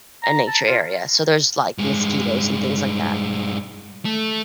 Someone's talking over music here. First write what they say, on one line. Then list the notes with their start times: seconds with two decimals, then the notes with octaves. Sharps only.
a nature area, so there's, like, mosquitoes and things like that.
0.23 A#5
0.47 A5
0.67 F4
1.78 G2 G#3
4.05 A3